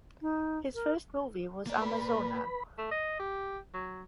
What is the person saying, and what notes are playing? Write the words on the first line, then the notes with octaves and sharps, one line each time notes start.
His first movie was "Amazona".
D#4
A#4
A#3 D5
B4 B5
A3
D#5
G4
F#3